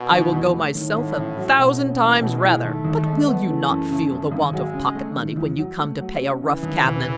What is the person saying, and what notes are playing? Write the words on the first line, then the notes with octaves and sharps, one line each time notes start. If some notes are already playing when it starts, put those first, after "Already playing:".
I will go myself a thousand times rather!--But will you not feel the want of pocket-money when you come to pay a rough cabman?
Already playing: B2
D#3
E2
A3
A2 D#3
G#2
A1
F#3
B2
C#4
E3 A3
B2
G#3
E4
D#3 A3
D#2
A3
G#3
A3 B3
E3
F#2
C#3
F#2
G#1
F#3 G#3
C#3
A3
D#3
E2
F#3
A3
F#3
C#4
C#3 E3
D#2
E1